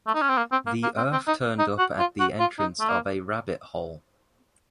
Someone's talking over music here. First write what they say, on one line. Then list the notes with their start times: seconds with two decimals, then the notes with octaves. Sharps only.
The earth turned up at the entrance of a rabbit-hole.
0.07 A3
0.14 D#4
0.22 C#4
0.29 C4
0.37 A#3
0.52 C4
0.67 A#3
0.83 A#3
0.97 C4
1.12 C4
1.27 D#4
1.58 D#4
1.78 F#4
1.99 F4
2.20 F#4
2.39 F4
2.59 D#4
2.80 A3
2.89 A#3